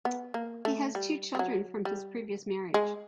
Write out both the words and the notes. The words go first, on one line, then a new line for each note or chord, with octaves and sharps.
He has two children from his previous marriage.
B3
A#3
A3
G3
G3
F#3
G3
G#3